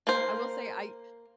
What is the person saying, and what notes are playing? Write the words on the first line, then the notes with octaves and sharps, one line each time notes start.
I will say I
A#3 C5